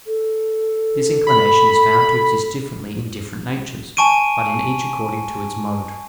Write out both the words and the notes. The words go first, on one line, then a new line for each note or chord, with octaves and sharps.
This inclination is found to exist differently in different natures; but in each according to its mode.
A4
B5
G#5 A5 C#6 D7 D#7